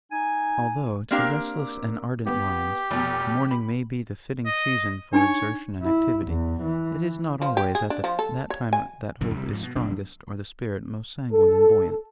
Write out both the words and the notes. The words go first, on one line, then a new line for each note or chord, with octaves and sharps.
Although, to restless and ardent minds, morning may be the fitting season for exertion and activity, it is not always at that time that hope is strongest or the spirit most sanguine and buoyant.
D#4 G#5
A#3 C4 D4 G4 A#4 F5
B3 G4
F1 B2
B5
D#5
D4 D#4 C#5 G#5
E4
E2
E3
F3
G4
G#4
D4
F3
A4
C#5
G#5
F1 F#2 D3 D#3
C2 C3 G3
G#2 F3
B2
F1 B1 D4
A4